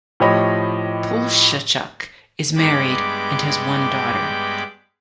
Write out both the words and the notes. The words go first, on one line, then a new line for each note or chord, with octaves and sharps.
Poleshchuk is married and has one daughter.
A2 F3 G4 C#5 D#5 B5
G2 G#3 B3 G5 B5 D6